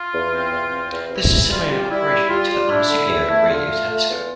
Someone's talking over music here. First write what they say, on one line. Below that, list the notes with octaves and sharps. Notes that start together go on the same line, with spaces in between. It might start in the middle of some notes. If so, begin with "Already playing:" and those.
This is similar in operation to the Arecibo Radio Telescope.
Already playing: F4
E2
C4
E2
C4
E2
C3 E4
E2
G3 F4
G3
G3 E4
G3
G3 F4
G3
D4 E4
D3
E2
A3
D3 F4
A3
A3
E2